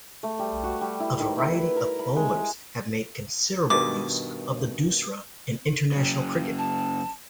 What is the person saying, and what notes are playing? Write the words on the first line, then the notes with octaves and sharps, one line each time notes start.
A variety of bowlers have made considerable use of the doosra in international cricket.
A3
G3
F#4
G3
E4
D#3
E4
B4
A#4
B5
G#3
G#3
G2 B2 D#3 D6
F#2 C#3
A5